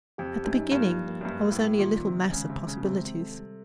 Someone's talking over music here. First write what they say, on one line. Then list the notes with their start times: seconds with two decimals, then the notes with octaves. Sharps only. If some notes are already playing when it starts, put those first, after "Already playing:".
At the beginning I was only a little mass of possibilities.
0.18 F2 G4
0.37 G4
0.45 F#2
0.54 D#4
0.72 G2 A#3
0.90 F3
1.08 A#3
1.21 F#2
1.25 G2 A#3
1.43 G3
1.52 A2
1.61 A#3
1.79 A#2 D#3
1.96 D#3
2.06 C3
2.14 D#3
2.32 C#3 G#3
2.49 C3 C4
2.67 C#3 G#3
2.77 B2
2.85 C3 C4
3.03 G#3
3.21 A4
3.38 G3